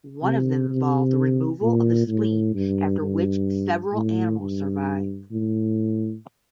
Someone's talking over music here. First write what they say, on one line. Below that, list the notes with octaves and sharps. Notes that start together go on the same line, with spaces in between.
One of them involved the removal of the spleen after which several animals survived.
C3
C3
A#2
A2
G2
G2
A2
G2
A2